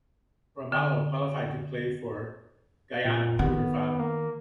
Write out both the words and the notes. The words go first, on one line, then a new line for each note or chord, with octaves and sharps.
Ramalho qualified to play for Guyana through her father.
D3
A#2
D#3 B3
A#3